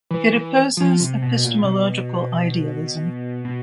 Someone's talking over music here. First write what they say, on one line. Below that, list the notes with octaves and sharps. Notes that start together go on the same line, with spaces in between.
It opposes epistemological idealism.
E3
E3
F3
C3
B2
A#2
C3
B2
B2